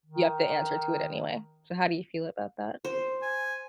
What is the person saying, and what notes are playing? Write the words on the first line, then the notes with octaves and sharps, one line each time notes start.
you have to answer to it anyway. So how do you feel about that?
D#3
C5
G#5